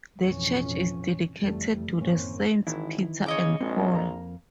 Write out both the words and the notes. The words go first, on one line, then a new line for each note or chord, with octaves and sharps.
The church is dedicated to the Saints Peter and Paul.
A1 F2 B2 E3 F3 C#4
F#1 F2 E3 G3 A3
F#2 A2 D#3 A#3 C4 C#4
G#1 D#3 E3 E4
C#3 C#5 D#5 D6
A#1 G#3 C4
F2 A#3 A#5